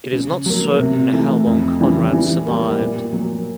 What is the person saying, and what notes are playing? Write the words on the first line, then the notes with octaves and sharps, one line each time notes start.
It is not certain how long Conrad survived.
C#3
F#3 A#3
C3
E3 A3
F2
C#3 E3 G3
E3
G3 A#3
A#2
F#3 A#3